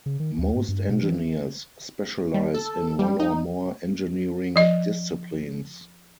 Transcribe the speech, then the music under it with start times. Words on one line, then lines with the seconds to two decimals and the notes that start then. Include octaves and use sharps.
Most engineers specialize in one or more engineering disciplines.
0.06 C#3
0.20 D#3
0.39 D#2
0.56 G#2
0.68 G2
0.89 B2
1.03 E3
2.34 G3
2.54 A4
2.99 G3
3.20 D#4
4.56 F3 D#5